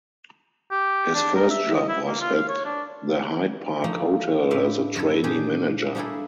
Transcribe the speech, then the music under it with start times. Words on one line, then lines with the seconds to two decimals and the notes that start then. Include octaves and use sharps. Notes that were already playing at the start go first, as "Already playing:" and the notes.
His first job was at the Hyde Park Hotel as a trainee manager.
0.71 G4
1.15 D4
1.35 A#4
1.50 E5
1.75 D#5
1.89 E4
2.07 A#3
2.20 F4
2.34 F5
2.49 C#5
2.65 D4
3.84 F3 A3 A#3 D#4
4.51 A2 B3 C4 D4 E5 F5
4.96 F#2 D3 B3 A4
5.24 A#2 D4 G4 G#4
5.95 G3 A#3 D4 E4 G#4 A4